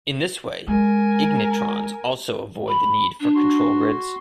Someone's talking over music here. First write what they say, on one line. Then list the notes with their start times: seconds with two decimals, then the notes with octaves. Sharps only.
In this way, ignitrons also avoid the need for control grids.
0.67 G#3 A#4 G#5
2.68 B5
3.20 D4
3.35 F#4 C6